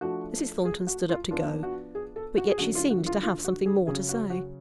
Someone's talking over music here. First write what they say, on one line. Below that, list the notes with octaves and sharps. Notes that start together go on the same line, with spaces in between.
Mrs. Thornton stood up to go, but yet she seemed to have something more to say.
F3 A3 D4 F#4
G#4
F#4
F4
F3 B3 D4 F4
F#4
G#4
A4
F#4
G#4
D3 F#3 A3 C#4 F#4
F4
F#4
F4
F4
F#4
G#4
C#3 F#3 C#4 G#4
F#4
F#4